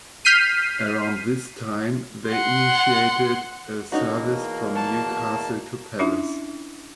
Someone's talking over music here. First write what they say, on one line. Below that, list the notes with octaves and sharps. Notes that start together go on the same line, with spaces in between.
Around this time they initiated a service from Newcastle to Paris.
F6 G6 B6 C7 D#7
F#5 C6
E2 B2 A#3 C#4 D#4 F#4
F#3 A5
C#4 D4 E4 F4 E5